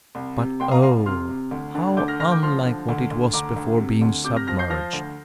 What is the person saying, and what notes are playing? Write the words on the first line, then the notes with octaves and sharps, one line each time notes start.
But, oh! how unlike what it was before being submerged!
C2
C3
C2 G5 C6
F5 A#5
C2 F5 A#5
C3 C6 F6
C3
D2
D3
D2 D6 G6
F6 A#6
D2 F6 A#6
D6 G6
F3 C6 F6
D3
D2
D2
D2 A#5 D6
D2
C3
D2
C3 D6 G6
F6 A#6
F3 F6 A#6
G6 C7
F3 F6 A#6
D2